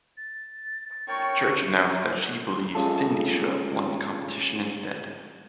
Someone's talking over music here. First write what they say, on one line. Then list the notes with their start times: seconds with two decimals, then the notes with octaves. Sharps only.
Church announced that she believed Cyndi should have won the competition instead.
0.17 A6
1.08 A#4 C#5 G5 C#6
2.75 G#3 C#4 F4 A4